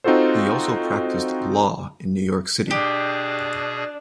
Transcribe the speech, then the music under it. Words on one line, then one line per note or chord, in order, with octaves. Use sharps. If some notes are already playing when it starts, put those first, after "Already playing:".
He also practiced law in New York City.
C4 D#4 F4 F#4 A4 C5
B2 D4 G4 G#4